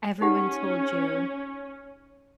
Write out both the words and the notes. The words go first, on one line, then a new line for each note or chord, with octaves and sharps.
everyone told you,
C#4 D#4 G4 F#5